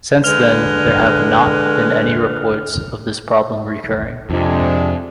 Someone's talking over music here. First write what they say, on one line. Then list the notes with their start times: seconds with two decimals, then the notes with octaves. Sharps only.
Since then, there have not been any reports of this problem recurring.
0.24 D3 G#3 B4 F6 F7
4.30 F2 C3 F3 G#3 D4